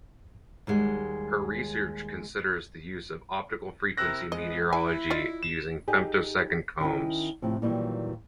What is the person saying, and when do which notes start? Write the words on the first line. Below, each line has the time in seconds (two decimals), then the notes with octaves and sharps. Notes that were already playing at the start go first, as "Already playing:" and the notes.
Her research considers the use of optical frequency metrology using femtosecond combs.
0.67 D#2 G3 G#3 F#5
3.98 C3 E4 A#4 E6 F#6 A#6
4.32 F3 G#3 B3 D#5
4.73 E4 G#5
5.10 F4 D5 D#5
5.43 E7
5.88 D#4 G4 G#4
6.81 D#3 C#4 E4
7.42 A2 C3 F3
7.62 A#2 D#3 E3 F#3 G3